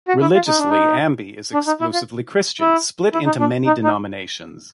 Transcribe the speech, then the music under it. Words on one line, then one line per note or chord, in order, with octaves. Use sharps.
Religiously Ambae is exclusively Christian, split into many denominations.
F#4
E4
F4
D#4
D4
D#4
D4
D#4
E4
F4
E4
E4
D#4
D4
D#4
D#4